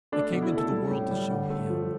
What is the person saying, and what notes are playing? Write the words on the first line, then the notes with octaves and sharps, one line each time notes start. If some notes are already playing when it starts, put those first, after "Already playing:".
I came into the world to show him.
A3 D4
B2
E4
A3
A4
G3
A2
G3
D3
A3
F3